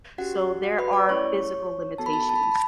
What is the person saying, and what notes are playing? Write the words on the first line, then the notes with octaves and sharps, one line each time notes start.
so, there are physical limitations
C#4 F#4 G4 F#5
F#4 F#5
B4 B5
D5 D6
A3 C#4 E4 C#5 C#6
B3 F#4 A4 A5
B5
A5
B5
A5
B5
A5
B5